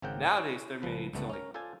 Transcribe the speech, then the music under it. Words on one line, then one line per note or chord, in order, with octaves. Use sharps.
Nowadays, they're made to, like
G#1 C#3 C4 A#4 F#5 G5
E4 C#5
C#2 F3 B4
C#2 G2 D3 A3 B3
C#4 A#4
F4 A4 C5 D5 G#5 A5